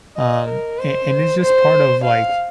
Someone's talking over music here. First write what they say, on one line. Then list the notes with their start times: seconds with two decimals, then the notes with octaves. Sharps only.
um, a and it's just part of, like,
0.17 D#5
0.48 A#4
0.79 C5
1.42 C5
2.04 F5